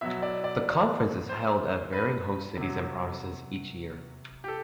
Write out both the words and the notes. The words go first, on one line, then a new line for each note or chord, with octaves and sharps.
The conference is held at varying host cities and provinces each year.
B2 F#3 E5
D5
D5
C5
B4
C3 F#3
G4
A4